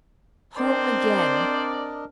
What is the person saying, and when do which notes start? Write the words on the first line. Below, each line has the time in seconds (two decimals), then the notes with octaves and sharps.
Home again!
0.58 C4 D4 A#4 C5 D5 D#5